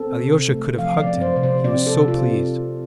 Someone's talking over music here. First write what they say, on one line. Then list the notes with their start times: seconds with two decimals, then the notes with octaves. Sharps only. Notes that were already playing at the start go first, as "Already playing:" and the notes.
Alyosha could have hugged him, he was so pleased.
Already playing: C4 A4
0.20 C3
0.49 A3
0.78 F3 F5
1.00 D5
1.07 C4
1.21 C5
1.36 C3
1.43 C5
1.64 C4 D5
1.86 A4
1.94 C3
2.08 F4